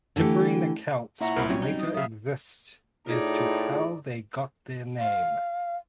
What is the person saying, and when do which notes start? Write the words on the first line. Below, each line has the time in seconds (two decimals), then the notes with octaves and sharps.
Differing accounts would later exist as to how they got their name.
0.16 D3 E3 G#3 A3 G4
1.21 A#2 E4 E5 F#5 A#5 C#6
1.36 C2 A#4 C5 B5
1.49 F#3 G3 C4 C#4 F#4 C#5
1.62 D#4
1.80 D#6
1.94 C#3 F#3 E5 F5 D#6
3.07 A2 D#4 F4 G#4 D5
4.98 F5